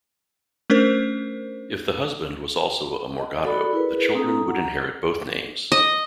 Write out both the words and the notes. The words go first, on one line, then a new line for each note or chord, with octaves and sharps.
If the husband was also a morgado, the children would inherit both names.
A3 C#4 D4 A#4 C5
D#5
F#4 A4 D5 B5
E4 G#4 A#4 B4
C4 D4 E4 A4 A#5 D#6
F#5 A#5
D#5